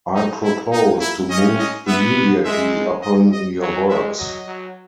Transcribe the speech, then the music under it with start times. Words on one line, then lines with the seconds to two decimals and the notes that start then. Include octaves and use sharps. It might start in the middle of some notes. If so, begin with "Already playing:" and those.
I propose to move immediately upon your works.
0.15 D#4
0.43 E4
0.71 A#3 D#4
1.01 E4
1.30 C#4 D#5
1.59 D#5
1.87 B3 E5
2.44 G#3 E5
3.02 D#5
3.32 D#5
3.61 F#3 C#5
3.89 G#3 E5
4.18 F#3 D#5
4.47 F#3